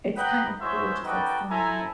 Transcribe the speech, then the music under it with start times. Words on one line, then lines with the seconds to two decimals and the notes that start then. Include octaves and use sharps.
it's kind of cool just, like, seeing it
0.17 B4 D#5 F#5 G5 A#5 B5
0.61 G#3 E4 F#4 C5 C#5 E5
1.04 D#4 F#4 A4 B4 D5 G5
1.51 E4 A4 C5 G#5 A#5